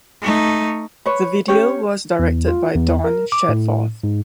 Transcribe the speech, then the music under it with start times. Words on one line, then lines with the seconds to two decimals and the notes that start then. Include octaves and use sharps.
The video was directed by Dawn Shadforth.
0.22 A3 D#4
1.06 B4 C#5
1.48 C#4 G4 C#5
2.19 E2
2.48 F4
2.75 E2
3.04 A#4
3.32 D6
3.49 A2
4.04 G#2